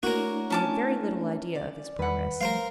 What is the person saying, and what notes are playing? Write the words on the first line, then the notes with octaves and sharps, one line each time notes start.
He had very little idea of his progress.
A3 A#3 D4 E4 F#4 A#4 C#5
C#4 A5 D6
D5
E2 D#3 G3 B4 F#5
F3 G3 A3 A#4 C5 F5